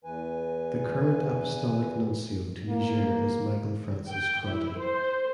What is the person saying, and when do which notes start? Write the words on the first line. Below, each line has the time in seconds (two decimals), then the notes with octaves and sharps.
The current Apostolic Nuncio to Niger is Michael Francis Crotty.
0.04 E2 E3 B4 G#5
2.70 A#3
4.09 G5
4.47 E4
4.80 C5